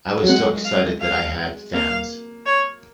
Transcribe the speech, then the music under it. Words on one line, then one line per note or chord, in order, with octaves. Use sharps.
I was so excited that I had fans!
F#3
G#3 F#5
F5
F5
A#3 F5
C#5